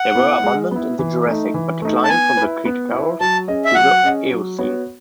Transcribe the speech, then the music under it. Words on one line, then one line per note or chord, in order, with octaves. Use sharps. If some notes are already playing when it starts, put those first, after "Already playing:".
They were abundant in the Jurassic, but declined from the Cretaceous to the Eocene.
Already playing: F#5
B3 E4
G#3
B3 E4
E3
A3 D#4
E3
A3 D#4
A5
B3 G#5
E4 B4
B3
E4 B4
F#3 A5
C#4 G#4 D#5
E5
F#3 F#5
C#4 G#4 D#5
F#3
B3 F#4 C#5